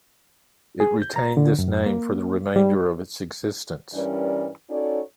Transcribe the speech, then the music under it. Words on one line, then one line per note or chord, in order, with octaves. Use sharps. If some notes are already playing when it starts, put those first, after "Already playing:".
It retained this name for the remainder of its existence.
G#4
G6
A#5
D3
F#2
A#3
G3
G2 E3 G3 C#4 A#4 D5
C#4 D#4 F#4 A4 C#5 D5